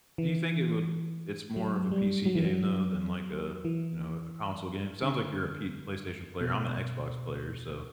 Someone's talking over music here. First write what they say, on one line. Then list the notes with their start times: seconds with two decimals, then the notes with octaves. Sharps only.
Do you think it would it's more of a PC game, though, than, like, a, you know, a console game? Sounds like you're a P PlayStation player. I'm an Xbox player, so
0.18 E3
1.56 F#3
1.92 G3
2.26 F#3
2.35 E3
2.45 F#3
3.65 E3
5.02 D3
6.41 B2